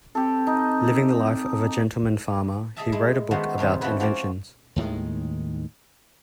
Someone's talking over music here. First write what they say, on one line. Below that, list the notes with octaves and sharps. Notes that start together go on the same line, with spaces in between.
Living the life of a gentleman farmer, he wrote a book about inventions.
C4 G4 A4
D#4
G#4 A4 D#5 E5 G#5 A5
G#3 E4
D#3 G#3 A3 B3 F#4 C5
F#2 A2 C3 D#3
E3 F3 G3 E4 F#4 B4
F3 C4 F#4 C#5 D5
D#2 A2 D#3 G#3